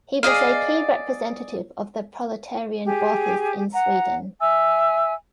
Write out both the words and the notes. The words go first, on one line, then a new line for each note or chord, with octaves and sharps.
He was a key representative of the proletarian authors in Sweden.
G#4 D5 D#5 F5
G4 G#4
F#5 A#5
E5 G#5 E6